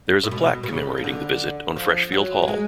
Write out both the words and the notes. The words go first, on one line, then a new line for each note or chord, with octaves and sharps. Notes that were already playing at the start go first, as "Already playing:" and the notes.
There is a plaque commemorating the visit on Freshfield Hall.
A2
B2
B2
C#3
F3
D3
F3
F#3
F#3
G#3